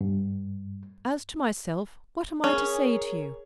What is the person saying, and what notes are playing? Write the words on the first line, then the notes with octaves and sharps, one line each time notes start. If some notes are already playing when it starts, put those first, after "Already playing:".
As to myself, what am I to say to you?
G2
C#4 G#4 A#4 C#5